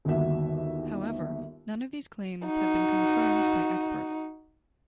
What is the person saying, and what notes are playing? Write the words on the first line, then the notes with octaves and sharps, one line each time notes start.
However, none of these claims have been confirmed by experts.
G1 D#2 D#3 F#4 E5
D#4 F#4